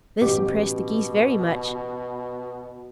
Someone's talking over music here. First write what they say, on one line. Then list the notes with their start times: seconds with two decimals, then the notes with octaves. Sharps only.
This impressed the Geese very much.
0.21 A1 B2 G4 D6